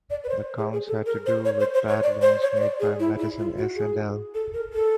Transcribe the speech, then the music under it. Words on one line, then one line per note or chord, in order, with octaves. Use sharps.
The counts had to do with bad loans made by Madison S and L.
D5
B4
C5
G#4
G#4
A4
A#4
C5
C#5
C5
C5
C#5
D5
C5
C#5
C#5
D5
G#4
E4
E4
F4
F#4
G#4
A4
A#4
A4